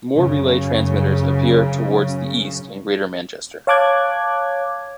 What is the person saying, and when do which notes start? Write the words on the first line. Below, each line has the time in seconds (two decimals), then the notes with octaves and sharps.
More Relay Transmitters appear towards the east in Greater Manchester.
0.17 F#2 C#3
3.67 C#5 F5 A5 D6 F#6 G#6